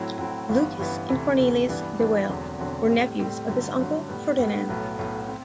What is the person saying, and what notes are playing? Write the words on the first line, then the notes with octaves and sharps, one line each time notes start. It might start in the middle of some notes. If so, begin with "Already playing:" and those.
Lucas and Cornelis de Wael were nephews of his uncle Ferdinand.
Already playing: A2 F#3 C4 E4
A2 F#3 C4 E4
G1 G2 E3 B3
G1 G2 E3 B3
D2 C3 E3
D2 C3 E3
G2 E3 B3 D4
G2 E3 B3 D4
E1 E2 D3 F#3 C4
E1 E2 D3 F#3 C4
A2 G3 C4
A2 G3 C4
G2 D3 F#3 A3
G2 D3 F#3 A3
A2 G3 B3
A2 G3 B3
B1 A2 F#3 B3
B1 A2 F#3 B3
C4